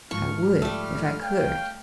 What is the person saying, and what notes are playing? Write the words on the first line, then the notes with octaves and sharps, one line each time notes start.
"I would if I could!"
G#2 F3 F4 C#6 F6
G3 A3
C#5 F5 G5